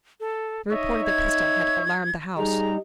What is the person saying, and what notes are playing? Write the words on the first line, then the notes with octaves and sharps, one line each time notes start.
The report of the pistol had alarmed the house.
A4
D#4 C#5 D#5 E5
G#6
G3 D#4 G#4 A#5